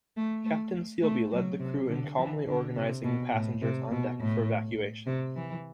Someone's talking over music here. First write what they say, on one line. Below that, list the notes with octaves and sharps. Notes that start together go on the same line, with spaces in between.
Captain Sealby led the crew in calmly organizing the passengers on deck for evacuation.
A3
A3
A3
F#3
C3
D3
E3
D3
C3
B2
A2
C3
B2
A2
C3
E3